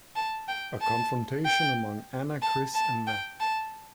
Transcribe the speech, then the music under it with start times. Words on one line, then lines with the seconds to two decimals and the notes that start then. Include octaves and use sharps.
A confrontation among Anna, Chris and Mat.
0.16 A5
0.48 G5
0.81 A5
1.45 G5
2.42 A5
2.74 A5
3.07 G5
3.40 A5